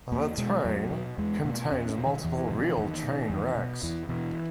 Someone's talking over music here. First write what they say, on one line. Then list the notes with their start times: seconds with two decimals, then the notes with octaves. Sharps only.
"The Train" contains multiple real train wrecks.
0.11 E2 A#3
0.38 B2 G#3
0.64 E2 F#3
0.91 B2
1.18 E2 G#3
1.44 B2 A#3
1.71 E2 C#4
1.89 C#4
1.97 B2
2.06 D#3
2.24 E2 E3
2.37 E3
2.50 B2 E3
2.59 F#3
2.64 E3
2.77 E2 D#3
3.03 B2
3.30 E2
3.56 B2
3.83 E2 E3
4.09 B2 E3